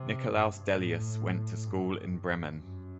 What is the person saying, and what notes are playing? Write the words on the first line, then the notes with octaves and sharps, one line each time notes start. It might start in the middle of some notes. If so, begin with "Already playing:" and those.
Nikolaus Delius went to school in Bremen.
Already playing: C3
G2
A2
G2
F#2